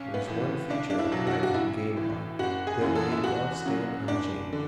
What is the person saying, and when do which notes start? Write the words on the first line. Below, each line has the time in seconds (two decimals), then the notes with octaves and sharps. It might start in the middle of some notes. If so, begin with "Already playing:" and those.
There is one feature of the Idaho game law that may well stand unchanged.
Already playing: B1 C#4
0.14 B3
0.27 A2 E3
0.70 B1 D4
0.90 D4
0.99 E4
1.12 B2 F#3
1.27 F#4
1.43 F#4
1.54 A1 E4
1.96 A2 E3
2.39 F#1 F#4
2.67 G#4
2.81 F#2 C#3 E3
2.96 A4
3.11 E4
3.24 E2 F#4
3.66 C#3 F#3
4.08 F#1 D4
4.53 D3